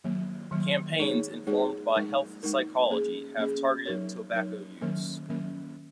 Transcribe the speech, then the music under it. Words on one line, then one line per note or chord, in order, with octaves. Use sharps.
Campaigns informed by health psychology have targeted tobacco use.
D#3 F#3 A#3
D#3 F#3 A#3
G#3 D#4 G#4 C#5
G#3 D#4 G#4 C#5
G#3 D#4 A#4
G#3 D#4 A#4
A#3 C#4 G#4
A#3 C#4 G#4
F#3 D#4 A#4 C#5
F#3 D#4 A#4 C#5
D#3 F#3 A#3 C#4 A#4
D#3 F#3 A#3 C#4 A#4